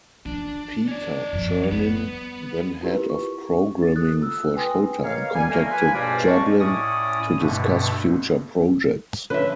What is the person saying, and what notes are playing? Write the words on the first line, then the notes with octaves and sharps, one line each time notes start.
Peter Chernin, then head of programming for Showtime, contacted Jablin to discuss future projects.
E3 D4 F4
C#4 D5
F#2 F3
G3 B3
E4 F4 G4 A#4 B4
C#6
A6
A4 D#6 F#6 A6
F4 E6
B4 G5 G#5 C6 D#6 A#6
B2 A#3 C#5 F5
G3 G#5
A3 A#3
F3 B4 G#5
C#2 G2 B2 G3 A#3 D5
C#3 G#3 F4 A5 C#6
A2 C#4 D5 D#6
G2 B2 D3 A3
D3 F3 C#4 B4 E5